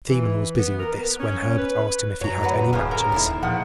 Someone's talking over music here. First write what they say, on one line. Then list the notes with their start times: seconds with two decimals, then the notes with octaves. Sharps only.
The seaman was busy with this, when Herbert asked him if he had any matches.
0.08 E3
0.57 B3
0.79 A#4
0.95 B3
1.19 C#4
1.58 B4
2.21 F#2 F#3 C#5 A#5
2.43 D2 B4 F#5
2.73 D1 F#2 A2 C#3 C#4 G#4
2.91 A4 A#4 A#5
3.12 D#2 D#3 A#3 E4
3.43 A#2 F3 G#3 F#5